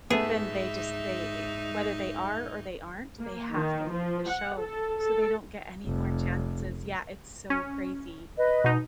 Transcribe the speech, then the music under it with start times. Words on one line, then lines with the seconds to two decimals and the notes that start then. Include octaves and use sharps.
Then they just they whether they are or they aren't, they have to leave the show, so they don't get any more chances. Yeah, it's so crazy.
0.10 G#2 A3 B3 D#4 G#4 E5
3.19 A#3
3.53 D#3
3.92 F3
4.29 F#5
4.58 A4
5.01 A4
5.85 F1
7.50 C#4
8.37 B4 D#5
8.64 B2 D#4